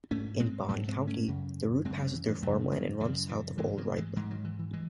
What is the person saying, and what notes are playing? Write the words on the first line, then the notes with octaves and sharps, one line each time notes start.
In Bond County, the route passes through farmland and runs south of Old Ripley.
G#2 A3 C#4
G#3 C4
G#2 F#3 A3
G#3 C4
A3 C#4
F#2 C#3
F#2 G#3 C4
C#3
D#3 F#3
E3
E3 G#3
F#2 C#3 F#3 A3
D#3 F#3
F#2 C#3 E3
E3
G#2 E3 G#3
D#3 F#3
E3 G#3
G#2 E3 G#3
D#3 F#3
E3
E3
E3 G#3